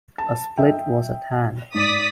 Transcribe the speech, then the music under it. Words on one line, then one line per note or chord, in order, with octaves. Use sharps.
A split was at hand.
A5
D#5 E5 G5
G#2 D5 D#6 B6